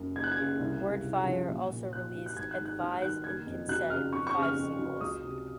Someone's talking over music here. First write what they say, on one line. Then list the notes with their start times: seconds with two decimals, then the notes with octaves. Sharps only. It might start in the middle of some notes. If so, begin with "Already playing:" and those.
WordFire also released "Advise and Consent" five sequels.
Already playing: F#1 F#2
0.16 F#1 G#6
0.24 F#6
0.32 G#6
0.38 C#3
0.60 C2
0.82 C3
1.04 C2
1.26 F3
1.48 A#1
1.70 A#2
1.93 A#1 F#6
2.15 F#3
2.26 F#6
2.37 G#1 G#6
2.51 F#6
2.59 G#2
2.65 F#6
2.80 F#3 F6
3.02 D#3 F#6
3.24 F#1 G#6
3.46 F2
3.68 F#3 F#6
3.90 C#3 F6
4.13 F2 C#6
4.27 C#6
4.35 C#3
4.42 F6
4.57 F2
4.79 F#3
5.01 C#2 D#6
5.23 C3